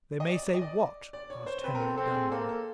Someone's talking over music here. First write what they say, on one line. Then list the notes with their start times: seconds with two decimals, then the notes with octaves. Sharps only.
"They may say what?" asked Henry Dunbar.
0.20 D#5
0.28 D5
0.54 D#5
0.61 D5
1.13 D5
1.30 C#5
1.46 C5
1.64 C4 B4
1.75 A#4
1.80 A4
1.97 C4 A4
2.14 G#4
2.31 A#3 A4
2.49 A4